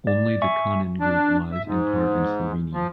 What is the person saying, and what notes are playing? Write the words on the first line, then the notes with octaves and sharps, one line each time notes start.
Only the Kanin group lies in part in Slovenia.
D5
E5 G#5 C#6
D4
E5
G#2
F3